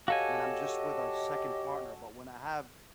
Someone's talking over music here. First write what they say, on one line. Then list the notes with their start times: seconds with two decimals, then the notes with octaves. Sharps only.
when I'm just with a second partner, but when I have
0.08 F#4 G4 A4 C#5 D#5 F5 G#5